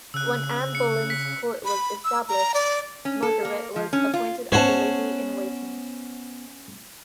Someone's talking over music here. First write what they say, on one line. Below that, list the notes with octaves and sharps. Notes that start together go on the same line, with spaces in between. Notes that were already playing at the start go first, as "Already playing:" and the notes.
When Anne Boleyn's court was established, Margaret was appointed as a lady-in-waiting.
C#3 E6 F#6
C#7
B6
B5
E6
A#5
D5
C#4
A4
A#3
F3
C#4
F4
B3 C#4 C5 C#5 F#5 A5